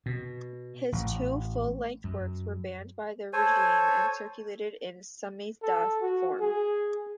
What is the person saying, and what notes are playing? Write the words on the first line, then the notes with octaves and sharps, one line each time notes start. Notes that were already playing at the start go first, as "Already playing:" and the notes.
His two full-length works were banned by the regime and circulated in "samizdat" form.
B2
A1
F#2
A4 C5 C#5 G#5
A4
F#4
G#4